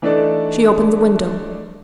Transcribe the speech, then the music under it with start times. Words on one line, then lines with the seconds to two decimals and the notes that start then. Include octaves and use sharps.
She opened the window.
0.02 E3 A3 D4 D#4 A4 D5